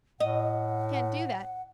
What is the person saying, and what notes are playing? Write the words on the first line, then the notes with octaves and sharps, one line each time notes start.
Can't do that.
A2 D#5 F#5